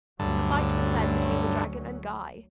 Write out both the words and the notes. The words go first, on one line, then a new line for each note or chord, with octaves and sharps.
The fight was then between the dragon and Guy.
D2 G2 D3 F#3 C#4